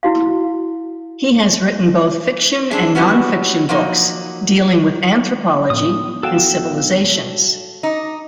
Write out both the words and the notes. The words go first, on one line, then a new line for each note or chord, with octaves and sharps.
He has written both fiction and non-fiction books dealing with anthropology and civilizations.
E4 F#4 F5
C4 D4 G#4
D#3 F#3 G3 B3 C#4
F3 F#3 A#3 D#4
A2 F3 B3 D#6
F#4 A4 F5 G5 E7
D#4 D6